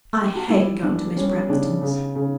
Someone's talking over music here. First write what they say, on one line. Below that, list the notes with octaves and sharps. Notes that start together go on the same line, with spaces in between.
"I hate going to Miss Braxton's."
G4
F#4
G3 E4
E3 D4
G3 C#4
C#3 D4
C#3
C#3